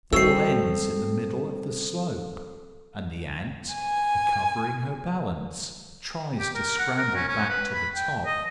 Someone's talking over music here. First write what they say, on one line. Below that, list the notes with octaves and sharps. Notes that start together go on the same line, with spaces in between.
The fall ends in the middle of the slope; and the Ant, recovering her balance, tries to scramble back to the top.
G3 C4 F#4 A4 C#5 E6 C7
G#5
G4
A#4
F#5
A#4
C#4
C#4
B4
B5
G5
D#5